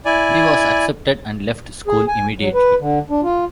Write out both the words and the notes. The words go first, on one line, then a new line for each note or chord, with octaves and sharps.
He was accepted and left school immediately.
E4 D5 G#5
G#4
G#5
F#3
B4
D3
D4
F4